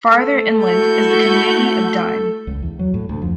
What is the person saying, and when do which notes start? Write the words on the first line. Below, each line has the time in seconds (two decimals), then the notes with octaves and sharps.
Farther inland is the community of Dime.
0.11 A3 A4
0.66 E4 F#4 G6
2.47 C#2
2.62 E2
2.79 F#3
2.94 A2
3.09 D2
3.22 F2